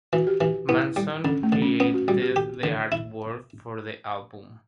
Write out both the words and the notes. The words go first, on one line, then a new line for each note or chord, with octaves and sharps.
Manson created the artwork for the album.
E3 F#4
G4
E3 G4
B3 E4
G3
D3 C#4
A3
D3
C#4
B3 C#4
F#4
G3 F#4
G4
G4
D3
E4